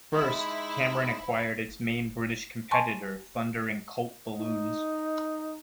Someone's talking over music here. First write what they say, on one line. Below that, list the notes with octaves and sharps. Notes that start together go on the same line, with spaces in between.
First, Cameron acquired its main British competitor Thunder and Colt Balloons.
G#3 D#4 E4
G#5 A5 C6 C#6
D#4